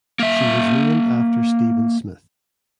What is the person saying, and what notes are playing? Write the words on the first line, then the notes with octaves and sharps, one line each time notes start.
She was named after Stephen Smith.
A#3 E5